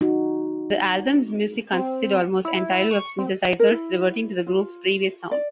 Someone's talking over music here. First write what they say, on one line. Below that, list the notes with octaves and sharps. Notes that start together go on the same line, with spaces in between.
The album's music consisted almost entirely of synthesizers, reverting to the group's previous sound.
D#4 F#4
C4
E4
C#6
C4
A#4
E4
F4
D5